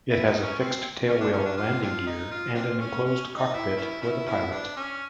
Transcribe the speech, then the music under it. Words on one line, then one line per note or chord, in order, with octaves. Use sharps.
It has a fixed-tailwheel landing gear and an enclosed cockpit for the pilot.
E4
D#4
C#4
C4
C#4
D4
C#4
D4
F4
C4 D4 F4
D#4
F4
C4 D4 F4
C#4
C#4
D#4
E4
B3 C#4 E4
B3 C#4 E4
B3 C#4 E4
G3 B3 D4
C#4